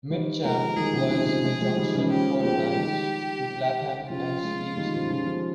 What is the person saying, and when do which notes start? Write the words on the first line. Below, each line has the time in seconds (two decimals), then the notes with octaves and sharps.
Mitcham was the junction for lines to Clapham and Sleeps Hill.
0.10 D#3 G3
0.44 F3 G#3 A#4
0.77 D#3 G3 G#4
0.93 C#3 F3
1.10 C3 D#3
1.27 C#3 F3
1.44 F3 G#3
1.61 F3 G#3
1.76 D#3 G3
1.94 C#3 F3
2.10 C#3 F3 G4
2.43 F3 G#3 G4
2.76 D#3 G3
4.10 C#3 F3 F4
4.43 F3 G#3
4.77 D#3 G3
4.94 C#3 F3
5.10 C#3 F3
5.27 C#3 F3